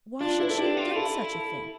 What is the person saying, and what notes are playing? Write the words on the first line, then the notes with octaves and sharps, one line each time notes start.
Why should she have done such a thing?
D4 F4
E4 B4
A4
D4 G4
F4
E4 A4
A4